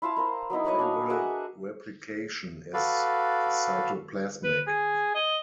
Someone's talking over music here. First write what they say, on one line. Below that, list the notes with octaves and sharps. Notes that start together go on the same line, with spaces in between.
Viral replication is cytoplasmic.
E4 F4 F5 A5
F4 A#4 C5
F#3 B3 D#4 E4
A#4 B4 C#5 D#5
D4 F5 G#5
F#4 G#4 E5 F#5
F#4 A4 B4 D5 F5
B4
G#4
D#5